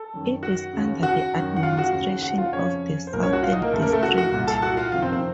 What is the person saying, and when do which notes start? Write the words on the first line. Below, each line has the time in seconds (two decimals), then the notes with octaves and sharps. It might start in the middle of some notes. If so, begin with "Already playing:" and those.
It is under the administration of the Southern District.
Already playing: A4
0.14 F#2 D#3
0.43 F#4 F#5
0.73 D#2 C#3
1.03 F#4 F#5
1.33 F#2 D#3
1.56 F#5
1.63 F4 F5
1.77 F#4 F#5
1.93 D#2 C#3
2.23 F#4 F#5
2.38 F4 F5
2.53 F2 C#3 C#4 C#5
3.07 C5
3.13 C2 A#3 A#4
3.16 A#2
3.22 C#4 C#5
3.33 F#4 F#5
3.42 F4 F5
3.53 D#4 D#5
3.62 A#3 A#4
3.73 C#2 C#3 A3 A4
3.82 A#3 A#4
3.92 A3 A4
4.03 F#4
4.18 F#4
4.32 C2 A#2
4.47 A4 A5
4.62 F#4 F#5
4.77 F4 F5
4.92 F2 C3 D#3 F4 F5
5.02 C4 C5
5.12 C4 C5